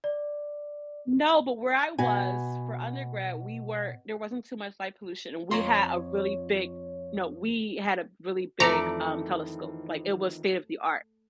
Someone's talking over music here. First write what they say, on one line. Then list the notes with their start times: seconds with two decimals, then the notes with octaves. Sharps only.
no, but where I was, for undergrad, we were there wasn't too much light pollution and we had a really big no, we had a really big, um, telescope. Like it was state-of-the-art.
0.04 D5
1.98 B2 F#4 G#5
5.51 F2 F4 C#5 A#5 C6
8.60 F2 D#3 E3 A3 D5 A#5 C#7